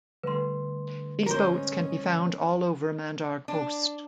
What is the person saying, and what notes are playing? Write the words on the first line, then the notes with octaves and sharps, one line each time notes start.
These boats can be found all over Mandar coast.
D3 G3 A3 B4 C6
G#3 C#4 A#4 C5
D4